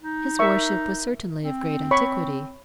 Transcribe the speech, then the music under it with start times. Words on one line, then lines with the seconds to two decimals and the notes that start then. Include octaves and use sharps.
His worship was certainly of great antiquity.
0.02 D#4
0.39 A#4 E5 C#6
1.44 C4
1.91 C#5 B5 C#6